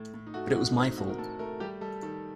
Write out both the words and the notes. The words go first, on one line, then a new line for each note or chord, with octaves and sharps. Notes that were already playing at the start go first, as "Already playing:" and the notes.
But it was my fault.
Already playing: A2
A2
D#4
A3 F#4
D#4
A2 F#4
C4 D#4
D#4
A2 F#4
A#4
A2 A4
A3 A#4
G3 G4
G3 A4
D#3 A4